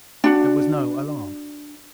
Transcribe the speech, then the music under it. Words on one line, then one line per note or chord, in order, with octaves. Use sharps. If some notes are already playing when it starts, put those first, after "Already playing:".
There was no alarm.
D4 F#4